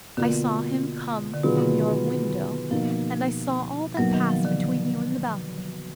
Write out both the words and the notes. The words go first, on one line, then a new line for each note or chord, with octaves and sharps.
I saw him come from your window, and I saw all that passed between you in the balcony.
B2 D3 A#3 F4
D3
B2 D#3 F#3 B3 F4 G#4
B2 F3 A#3 D#4 F#4
B2 F#3 A#3 D#4
D#3
F3
D3